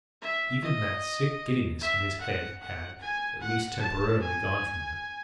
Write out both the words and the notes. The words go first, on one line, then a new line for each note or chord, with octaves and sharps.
Even that sick giddiness in his head had, at least temporarily, gone from him.
E5
D#5
E5
F#5
F#5
G#5
F#5
A5
G#5